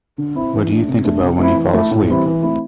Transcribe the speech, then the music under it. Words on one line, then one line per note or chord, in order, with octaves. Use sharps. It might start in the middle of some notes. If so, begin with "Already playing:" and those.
What do you think about when you fall asleep?
D3
C4 E4
E3
A3 D4
C3
A3 D4
C3
A3 C4 E4
E3
A3 E4
A2
E3 G3 C4 E4
E3
A3 C4 E4